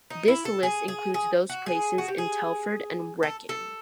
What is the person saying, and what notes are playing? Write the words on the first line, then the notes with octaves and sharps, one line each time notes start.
This list includes those places in Telford and Wrekin.
D#4
E4
A4
G#4
G#4
G#4
F#4
G#4
F#4
G4
G#4
A4
A4